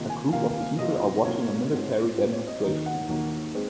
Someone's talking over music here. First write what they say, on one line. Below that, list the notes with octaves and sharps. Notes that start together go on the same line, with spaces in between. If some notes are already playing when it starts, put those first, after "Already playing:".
A group of people are watching a military demonstration.
Already playing: C3 D#3 A#3 F4 D#5
G#5
C3 D#3 A#3 F4 F5
C3 F#3 A#3 F4 D#5
C3 F#3 A#3 F4 C#5
G#2 F#3 C4 F4
G#2 F#3 C4 F4
C#5
D#5
D#2 D#3 F#3 A#3 D#4
F#5
D#2 D#3 F#3 A#3 D#4
G#3 C4